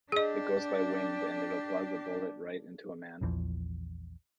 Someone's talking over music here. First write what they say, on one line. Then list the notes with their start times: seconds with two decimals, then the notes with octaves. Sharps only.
It goes by wind and it'll plug a bullet right into a man.
0.12 D4 G4 G#4 D#5
3.21 A#1 E2 E3 F3